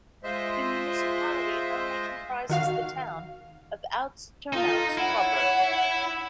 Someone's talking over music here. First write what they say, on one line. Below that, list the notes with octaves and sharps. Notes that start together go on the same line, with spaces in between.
The municipality only comprises the town of Oud-Turnhout proper.
G#3 F4 C5 D#5 E5
D#3 F#4 F5
D#4 F4 A4
E4 C#5 F#5